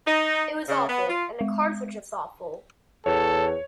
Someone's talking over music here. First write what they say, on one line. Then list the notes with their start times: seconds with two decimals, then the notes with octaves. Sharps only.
It was awful and the cards were just awful.
0.06 D#4
0.68 C#3
0.88 B3
1.09 F4
1.41 G#3
3.06 E2 A4 C#5